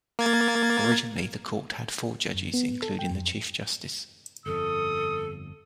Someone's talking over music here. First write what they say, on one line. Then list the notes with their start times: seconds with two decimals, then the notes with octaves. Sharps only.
Originally, the Court had four judges, including the Chief Justice.
0.19 A#3 G#6 A6
2.34 F#2
2.54 B3
2.82 A4
2.99 G5
3.11 F2
4.46 G1 F2 A4 D#6